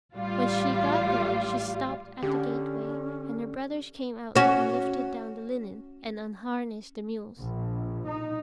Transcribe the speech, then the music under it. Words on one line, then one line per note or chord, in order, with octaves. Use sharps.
When she got there, she stopped at the gateway, and her brothers came out and lifted down the linen, and unharnessed the mules.
A1 G3 F4
D3 C#4 G4
C#4 F#4
A#1
D#4